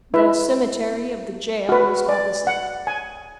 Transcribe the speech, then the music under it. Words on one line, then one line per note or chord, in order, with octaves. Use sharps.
"The cemetery of the jail is opposite."
E4 B4 E5
F#4 B4
D5
F#5
G#5